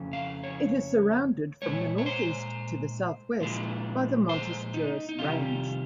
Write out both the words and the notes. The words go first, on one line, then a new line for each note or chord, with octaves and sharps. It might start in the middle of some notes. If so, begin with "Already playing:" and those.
It is surrounded from the northeast to the southwest by the Montes Jura range.
Already playing: F2 C#3
F5
C#5
A#2 G#3 C#5
C#5
C5
A#2 F3 G#3
C5
D#4
D#4
F2 C3 D#3 G3 F4